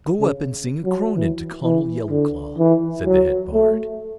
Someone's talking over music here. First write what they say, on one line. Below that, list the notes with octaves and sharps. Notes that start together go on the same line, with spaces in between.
Go up and sing a cronan to Conall Yellowclaw,' said the head bard.
C#3
F#3
E3
E3
D3
E3
F#3
A3